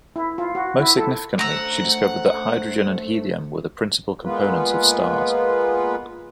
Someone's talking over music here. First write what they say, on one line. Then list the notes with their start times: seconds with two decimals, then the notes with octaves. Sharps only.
Most significantly, she discovered that hydrogen and helium were the principal components of stars.
0.16 E4
0.38 F4
0.55 F#4
0.80 E4
0.98 A4
1.39 A3 C#4 D4 C5 F#5 A#5 E6
4.24 G#3 A#3 B3 F4 B4